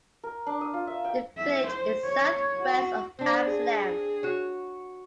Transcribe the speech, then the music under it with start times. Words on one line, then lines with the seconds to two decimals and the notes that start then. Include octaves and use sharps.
The village is southwest of Amsterdam.
0.23 A#4
0.46 D4
0.61 D#6
0.73 F4
0.87 E5
1.05 G5
1.38 E5
1.68 C5
2.04 C#5
2.57 F#4
3.19 C4 D4 C5
3.47 G#4
4.23 F#4 C#5